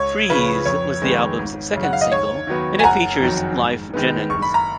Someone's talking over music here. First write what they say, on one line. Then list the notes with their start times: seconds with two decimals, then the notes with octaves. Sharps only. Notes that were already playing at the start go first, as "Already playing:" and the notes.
Freeze was the album's second single and it features Lyfe Jennings.
Already playing: C#2 C#5
0.29 C#3 F3 B4
0.65 F2 C#5
1.02 D#3 G#3 B3
1.39 G#1
1.75 F#2 C#3
1.83 F#5
1.93 F5
2.01 D#5
2.11 D#2 C#5
2.47 D#3 F#3 B3
2.79 G#5
2.84 F#1 F#5 A#5
3.21 F2 D#3 F#3
3.57 G#2
3.94 D#3 G#3 B3
4.30 F#1 C#6
4.42 B5
4.54 A#5